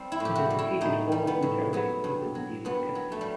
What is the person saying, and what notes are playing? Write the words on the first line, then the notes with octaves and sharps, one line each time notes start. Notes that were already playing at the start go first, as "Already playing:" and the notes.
It is located almost entirely within Davis County.
Already playing: G3 C4
E4
A2
G4
F#4
G3
E4
A2 D#4
G3
B3
A2
F#3 B3
G2
F#3
G2 B3
F#3
A3
G3